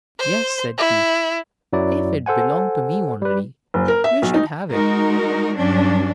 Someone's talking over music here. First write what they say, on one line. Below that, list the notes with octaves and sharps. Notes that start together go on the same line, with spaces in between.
"Yes," said he, "if it belonged to me only, you should have it."
C5
E4
F#2 F#3 E4 D5
A4 C5 F#5 G#5
G3 B4
F#1
A#4
E5
B1
D#4
G#3 D#4 F#4 A#4
G2 F#3 C#4 D4